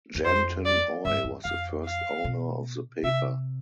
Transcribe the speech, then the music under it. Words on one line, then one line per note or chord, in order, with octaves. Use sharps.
Janton Oy was the first owner of the paper.
E2
F2 C5
D5
G2 E5
E2
F2 F5
F5
B2
C3 E5